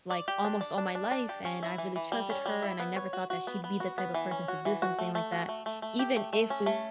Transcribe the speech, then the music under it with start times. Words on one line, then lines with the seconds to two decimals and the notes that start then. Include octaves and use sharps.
like, almost all my life, and I really trusted her, and I never thought that she'd be the type of person to do something like that even if we
0.11 D5
0.28 G4
0.45 D4
0.61 D5
0.78 D4
0.95 D4
1.11 D4
1.29 G4
1.45 C#4
1.63 E4
1.78 E3
1.96 E3
2.12 G3
2.30 C#4
2.46 G3
2.63 E4
2.80 B3
2.96 C#5
3.13 F#4
3.30 F#4
3.47 B3
3.64 B3
3.80 F#4
3.98 B3
4.14 E3
4.31 C#4
4.48 F#4
4.65 E3
4.82 F#4
4.99 A3
5.15 A3
5.32 F#4
5.49 A3
5.66 A3
5.82 A3
5.99 G4
6.16 A3
6.33 A3
6.50 C#4
6.66 A3